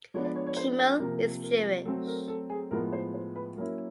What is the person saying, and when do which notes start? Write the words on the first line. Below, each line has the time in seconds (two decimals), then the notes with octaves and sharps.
Kimmel is Jewish.
0.14 F3 G#3 B3 D4 C#5
0.25 D5
0.36 C#5
0.47 C#5
0.57 C5
0.79 C5
0.99 C3 F3 A#3 A#4
1.43 A#4
1.85 F#3 A3 C4 A4
2.07 A#4
2.28 A4
2.50 G#4
2.71 A2 F3 G#3 B3 A#4
2.93 C5
3.14 C5
3.36 B4
3.56 F#3 A#3 C#4 E4 A#4